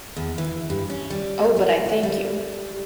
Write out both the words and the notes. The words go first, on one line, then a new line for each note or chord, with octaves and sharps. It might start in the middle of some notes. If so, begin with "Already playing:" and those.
Oh, but I thank you!
E2
E3
G2
C#4
G3
G#4
F#4
G3